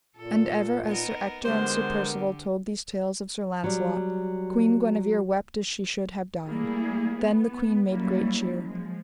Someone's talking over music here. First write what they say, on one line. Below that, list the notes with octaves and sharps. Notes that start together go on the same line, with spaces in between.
And ever as Sir Ector and Sir Percivale told these tales of Sir Launcelot, Queen Guenever wept as she should have died. Then the queen made great cheer.
A#2 A4
B3 D#4 A#4
D3 G#3 B3 G4 A#4 C5
F#3 G3
G3 A3 A#3 E4 G#4
B3
F#3 G3 A#3 C#4 E4
F3 G#3